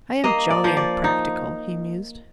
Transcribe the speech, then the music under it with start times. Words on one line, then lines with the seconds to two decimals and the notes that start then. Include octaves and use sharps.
"I am jolly unpractical," he mused.
0.24 A#3 D#5
0.50 D5
0.64 F3
0.77 D5
1.04 D#4